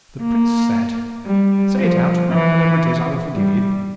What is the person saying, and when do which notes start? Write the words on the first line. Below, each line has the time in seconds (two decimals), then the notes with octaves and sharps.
The Prince said, 'Say it out; whatever it is I will forgive you.'
0.22 A#3
1.26 G3
1.78 F3
2.30 E3
3.34 G3